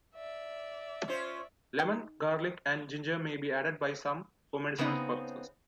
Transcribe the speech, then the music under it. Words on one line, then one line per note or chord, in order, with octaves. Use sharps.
Lemon, garlic and ginger may be added by some for medicinal purposes.
D5 E5
C#4 F4 C5
D#4 G5
C#3 B3 C4 D#4